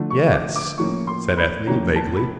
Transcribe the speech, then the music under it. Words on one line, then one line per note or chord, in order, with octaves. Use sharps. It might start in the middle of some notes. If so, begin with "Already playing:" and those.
"Yes," said Ethne, vaguely.
Already playing: D3 F3 A3 D4
C#6
D6
D6
A2 F3 A#3 C#4 C#6
C6
B5
A2 F3 A#3 C#4 A#5
A5
B5